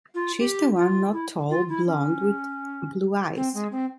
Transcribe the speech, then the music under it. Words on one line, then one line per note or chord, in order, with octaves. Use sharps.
She is the one not tall, blond with blue eyes.
F4
G4
F4
E4
F4
E4
C#4
C4
G#3
C4